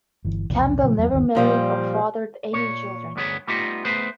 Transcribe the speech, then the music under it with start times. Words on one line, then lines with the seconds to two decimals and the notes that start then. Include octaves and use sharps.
Campbell never married or fathered any children.
0.25 G1 E3
0.50 B1 E2 C3 F3
0.83 A#2 C#3 F3
0.98 E2 F#3 A3 B3
1.13 G1 D#2 B2 D#3
1.35 A#2 F3 G3
2.53 A#2 C#5
3.16 D2 G2 B3 G#4 C#5
3.48 G3 A3 B3 D#4 F4 G4
3.85 A3 B3 G#4 B4 C5